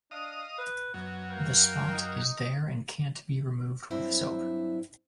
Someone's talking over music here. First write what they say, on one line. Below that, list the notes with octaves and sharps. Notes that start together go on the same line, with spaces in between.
The spot is there and can’t be removed with soap.
D4 D#5 F5 D#6
B4
F#2 F#3 B3
A#4 F5 G5
D#4
G2 F#3 C4 D4 E4 C5